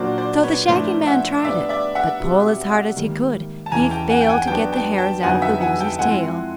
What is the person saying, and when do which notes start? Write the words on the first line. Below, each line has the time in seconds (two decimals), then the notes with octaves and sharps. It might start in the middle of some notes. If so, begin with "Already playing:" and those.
So the Shaggy Man tried it, but pull as hard as he could he failed to get the hairs out of the Woozy's tail.
Already playing: A#2 F#3 A#3 D4 F#4 C5 D5
0.18 C5 D5
0.43 B4 C#5
0.68 A2 F3 A3 D4 A#4 C5
1.07 E5 F#5
1.45 G3 B3 D4 G4 C5 D5 E5
1.69 D5 E5
1.95 E5 F#5
2.20 B2 G3 C4 D#4 G4
2.96 G#2 D#3 G3 A#3
3.66 A5
3.72 E2 C#3 E3 G#5 A#5
3.91 G5 A5
4.10 F#5 G#5
4.21 G5
4.29 F#5 G#5
4.47 F#3 B3 D4 F#4 G5 A5
4.72 G5 A5
4.98 G5 A5
5.23 F2 D3 F#3 B3 D#4 F#5 G#5
5.42 E5 F#5
5.61 F#5 G#5
5.80 G5 A5
5.99 F3 G#3 C4 E4 F#5 G#5